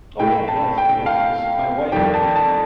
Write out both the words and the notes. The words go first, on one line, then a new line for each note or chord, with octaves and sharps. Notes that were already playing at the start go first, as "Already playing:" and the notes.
Oh yeah, yeah, that's what we got, 'cause my wife y
A2 A3 G5
A5
G5
F5
F2 D#3 G3 G5
A5
A5